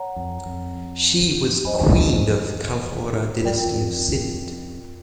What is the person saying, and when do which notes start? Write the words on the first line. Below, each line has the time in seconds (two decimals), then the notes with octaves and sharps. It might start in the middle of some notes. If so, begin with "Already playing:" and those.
She was queen of Kalhora dynasty of Sindh.
Already playing: C#5 F#5 A#5
0.16 F2
0.46 F2
1.65 F2 C5 D#5 G#5 B5
1.72 F#2
1.79 F2
2.54 E2
3.42 F#2 F4 A#4 D5 G5
3.54 F2
3.66 E2
3.76 F2